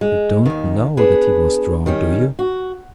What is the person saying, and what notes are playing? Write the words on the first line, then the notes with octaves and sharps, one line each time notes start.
You don't KNOW that he was drowned, do you?
G#3
D#2 D#3
B3 D4 G#4 B4
D#3 G3 C#4
F#4